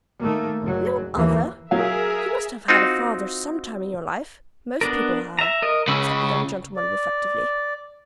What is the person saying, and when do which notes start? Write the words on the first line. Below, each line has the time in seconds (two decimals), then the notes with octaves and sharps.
"No other! you must have had a father some time in your life; most people have," said the young gentleman, reflectively.
0.20 D#3 A3 A#3
0.62 F#1 F#3
1.14 D#2 E3 A#3
1.71 F#3 G#4 A#4 E5 F5
2.68 C4 D#4 F4 F#4
4.81 B3 D4 A#4
5.39 E5 A#5
5.62 A#4 D#5
5.88 C#2 C#3 B5 E6
6.76 D5